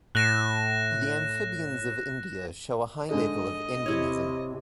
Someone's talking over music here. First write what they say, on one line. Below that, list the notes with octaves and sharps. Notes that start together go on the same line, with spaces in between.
The amphibians of India show a high level of endemism.
A2 F#6 A#6 E7
G#2 D3 D#5
C3 E4 C#5